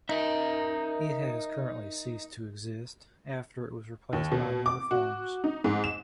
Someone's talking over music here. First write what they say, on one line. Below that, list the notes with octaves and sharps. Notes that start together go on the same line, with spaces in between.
It has currently ceased to exist after it was replaced by new reforms.
D#4 A#4 E5
D#2
B2
D6
F#4
D#4
G#2
E7